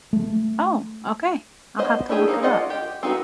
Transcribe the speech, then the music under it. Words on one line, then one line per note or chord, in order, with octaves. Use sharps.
Oh, okay, I'll have to look it up.
A3
B3 C5 D#5
D4 E4 G4 G#4
A#3 D#4 C5
C#4 F4 D5 D#5 F#5
G4
C4 D#4 F#4 A#4 B4